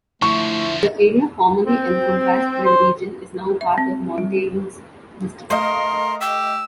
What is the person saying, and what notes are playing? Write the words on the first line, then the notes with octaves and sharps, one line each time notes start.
The area formerly encompassed by the region is now part of Montagnes District.
D3 F3 A3 E4 C#6
C4
C5
E5
C4
G3
A3 A#4 D#5 F5 C6
G4 E6